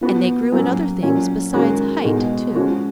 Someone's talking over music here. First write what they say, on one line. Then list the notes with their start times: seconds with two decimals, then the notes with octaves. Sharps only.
And they grew in other things besides height, too.
0.01 F3 B3 F#4
0.52 F#3 A#3 C#4
1.03 A#2 F#3 C#4
1.53 D#3 G#3 C#4 F#4
2.04 B2 G#3 D#4
2.55 F3 G#3 C#4 F#4